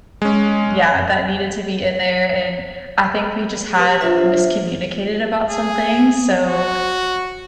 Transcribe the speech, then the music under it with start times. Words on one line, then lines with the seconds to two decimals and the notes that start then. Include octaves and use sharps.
Yeah, that needed to be in there, and I think we just had miscommunicated about some things, so,
0.22 G#3 C#4
3.74 G4 B4
4.01 D4 F4 C5 E5
5.49 G#4
6.48 F#4